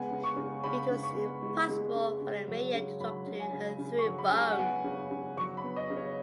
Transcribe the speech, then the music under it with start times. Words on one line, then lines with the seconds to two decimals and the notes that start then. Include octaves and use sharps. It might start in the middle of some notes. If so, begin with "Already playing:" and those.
It was impossible for the media to talk to her through phone.
Already playing: C#3 G#3 B3 F#5 G#5
0.11 C#3
0.24 C#6
0.36 C#3
0.64 C#3 B5
0.90 C#3
1.03 C#6
1.16 B3
1.42 G#3
1.69 G#3
1.95 C#3
2.21 C#3
2.48 F#3
2.74 C#3
3.00 F#3 B5
3.27 C#3
3.40 G#5
3.53 C#3
3.79 C#3
3.99 C#6
4.06 F#3
4.18 B5
4.32 C#3
4.39 G#5
4.52 F#5
4.58 B3 G#5
4.84 C#3
5.11 C#3
5.37 F#3 C#6
5.57 B5
5.64 B3
5.76 D#5
5.90 C#3
5.96 C#5